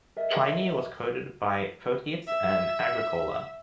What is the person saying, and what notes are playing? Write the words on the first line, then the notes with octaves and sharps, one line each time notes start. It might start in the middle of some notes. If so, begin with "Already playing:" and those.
Pliny was quoted by Photius and Agricola.
A#4 D#5 E5
E5